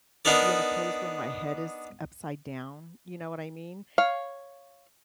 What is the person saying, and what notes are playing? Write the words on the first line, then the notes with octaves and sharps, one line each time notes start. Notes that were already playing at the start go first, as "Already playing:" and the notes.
be in a pose where my head is upside down. You know what I mean?
B3 D4 D#4 A#4 D5
C#5 F5